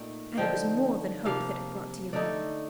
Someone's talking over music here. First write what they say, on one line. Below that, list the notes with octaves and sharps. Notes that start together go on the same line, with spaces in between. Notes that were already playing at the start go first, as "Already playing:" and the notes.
And it was more than hope that it brought to Yvonne.
Already playing: A#2 A3 D#4 G5
D3 F3 C4 D#4 G5
C3 F3 A#3 F5
D3 A3 D#4 D5